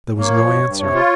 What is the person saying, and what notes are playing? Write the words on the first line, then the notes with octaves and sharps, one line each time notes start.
There was no answer.
A#3 C#5
F3
G2
G2
C3 C#5
F4